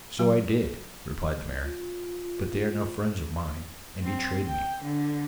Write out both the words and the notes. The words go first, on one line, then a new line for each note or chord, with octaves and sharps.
'So I did,' replied the mare, 'but they are no friends of mine and betrayed me.'
F#3
F4
C4
G5
D3